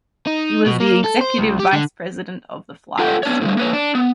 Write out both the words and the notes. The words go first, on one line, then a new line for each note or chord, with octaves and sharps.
He was the executive vice president of the Flyers.
D#4
B2
A#3
A4
C5
C#2
G4
D3
F4 A4 F#5 G5
B3 D4 C#5
A2 D3 F3 G3
A#3 B4 C#5
D4
B3